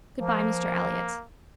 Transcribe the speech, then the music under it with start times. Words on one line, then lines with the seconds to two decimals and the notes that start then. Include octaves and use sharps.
"Good-bye, Mr. Elliott."
0.20 F3 A#3